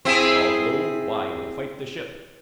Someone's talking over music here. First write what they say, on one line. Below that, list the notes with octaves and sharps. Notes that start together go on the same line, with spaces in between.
If they all go, why we'll fight the ship.
C4 E4 G#4